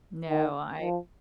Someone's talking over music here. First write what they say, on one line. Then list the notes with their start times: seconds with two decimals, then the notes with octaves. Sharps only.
No, I
0.29 D#3
0.81 F3